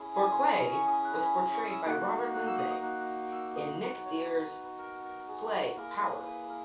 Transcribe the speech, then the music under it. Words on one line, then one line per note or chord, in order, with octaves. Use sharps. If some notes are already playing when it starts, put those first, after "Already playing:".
Fouquet was portrayed by Robert Lindsay in Nick Dear's play "Power".
Already playing: C#4 E4 G#4
G#5
G#5
A#5
C#6
D#6
F#6
A#5
B5
A#5
C#6
E6
A#3 D#4 F#4 F#6
F#6
E6
D#6
D#6
F#6
E6
D#6
B3 D#4 F#4 F#5
C#5
B4
A#4
A#4
G#4
A#3 E4 G#4 A#4
B4
B4
A#4